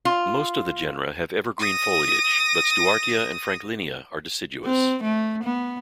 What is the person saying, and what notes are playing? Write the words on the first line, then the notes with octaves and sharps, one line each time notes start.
Most of the genera have evergreen foliage, but "Stewartia" and "Franklinia" are deciduous.
F4
D#6 A#6
C4
A3
B3